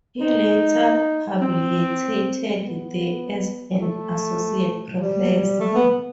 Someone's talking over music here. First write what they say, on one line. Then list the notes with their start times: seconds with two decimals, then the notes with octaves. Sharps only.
He later habilitated there as an associate professor.
0.21 D#4
1.41 C4
2.61 B3
3.81 A3
5.01 G3
5.60 A3
5.75 B3